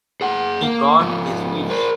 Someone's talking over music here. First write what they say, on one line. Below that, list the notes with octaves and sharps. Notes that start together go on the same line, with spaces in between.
He got his wish.
G#4 F#5
A#3
G#2 F3
A#4 C5